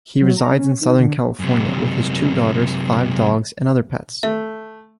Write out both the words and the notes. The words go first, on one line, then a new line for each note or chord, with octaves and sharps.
He resides in Southern California with his two daughters, five dogs, and other pets.
F#3
A#5
C#4
D#3
D3
F#2 C3
A3 E5